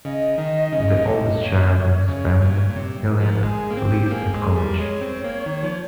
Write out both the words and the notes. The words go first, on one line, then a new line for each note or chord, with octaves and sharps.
The oldest child in his family, Helena, lives at college.
C#3 D#5
D#3
C#3
A#2
C3
A#2 C#5
C#3 C#5
A#2
A#2
C3
A#4
F3
G#3 G#4
A#3
C4 G4
C4
A#3 G#4
G#3
A#4
G#4
G3 A#4
G#3 C#5
C4
A#3
D#3
F3